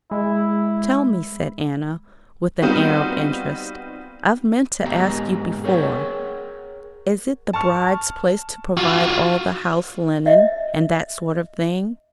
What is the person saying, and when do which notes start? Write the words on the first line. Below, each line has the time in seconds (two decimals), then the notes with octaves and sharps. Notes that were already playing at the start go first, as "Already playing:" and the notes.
'Tell me,' said Anna, with an air of interest; 'I've meant to ask you before: Is it the bride's place to provide all the house-linen, and that sort of thing?'
0.11 G#3 E4
2.62 G3 B3 C4 D#4 F4 F#4
4.83 G#2 B2 G#3 G4 G#4 A#5
5.64 G#4 A#4 C#5 D#5 F#5 G5
7.53 A5 C#6 F6
8.77 F4 F#4
10.26 D#5 E5